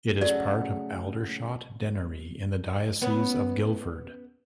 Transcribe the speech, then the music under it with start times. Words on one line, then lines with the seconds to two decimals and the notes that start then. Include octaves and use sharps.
It is part of Aldershot Deanery in the Diocese of Guildford.
0.21 C#3 F#3 A3 G#4 A4 D5 F#5
3.02 B3 C#4 B4